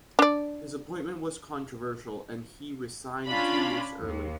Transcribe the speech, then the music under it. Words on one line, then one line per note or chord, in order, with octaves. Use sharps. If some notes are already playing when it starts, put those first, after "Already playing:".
His appointment was controversial and he resigned two years early.
D4 D5
C#4 D4 F4 B5
D#2